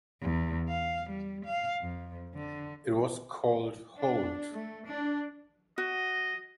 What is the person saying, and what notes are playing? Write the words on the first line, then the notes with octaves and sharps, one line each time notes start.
It was called Holt.
E2
F5
G3
F5
F2
D3
D4
A3
D4
F#4 D#5